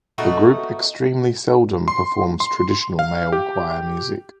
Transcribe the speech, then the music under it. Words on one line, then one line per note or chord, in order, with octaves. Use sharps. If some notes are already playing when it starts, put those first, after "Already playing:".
The group extremely seldom performs traditional male choir music.
B2 A3 D#4 F#4
C6
C6
F5
G4